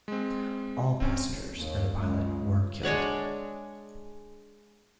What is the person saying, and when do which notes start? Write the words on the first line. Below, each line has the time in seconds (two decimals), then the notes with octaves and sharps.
All passengers and the pilot were killed.
0.08 G#3 C4
1.00 C4 C#4
1.59 D#2
1.98 C#2
2.83 G#3 D4 C#5 F#5